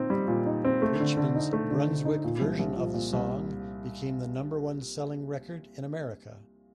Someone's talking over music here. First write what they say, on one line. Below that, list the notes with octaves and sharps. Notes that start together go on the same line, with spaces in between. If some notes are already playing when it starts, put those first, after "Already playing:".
Richman's Brunswick version of the song became the number-one selling record in America.
Already playing: A#2 C4 D#4
G3
A#2
D#4
C4
A3
D3
D3
D#4
A3
D3
D3
D#4
A#2
C2
C2
F3
A#2
C2